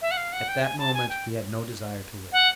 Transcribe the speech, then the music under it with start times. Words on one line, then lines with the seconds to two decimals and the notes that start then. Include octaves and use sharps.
At that moment he had no desire to live.
0.02 E5
0.11 F#5
0.17 F5
0.33 F#5
0.48 G5
0.63 G#5
0.79 A5
0.94 G#5
1.09 G5
2.32 F#5